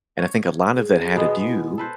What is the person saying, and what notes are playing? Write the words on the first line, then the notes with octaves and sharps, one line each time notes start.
And I think a lot of that had to do,
C#5
G#4
B2 G#3 B3
E4
A4 B4 C5